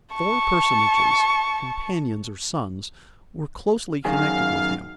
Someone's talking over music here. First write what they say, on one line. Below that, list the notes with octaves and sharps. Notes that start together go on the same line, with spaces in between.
Four personages, companions or sons, were closely connected with him.
A5 C#6
F#2 D#3 G#4 F5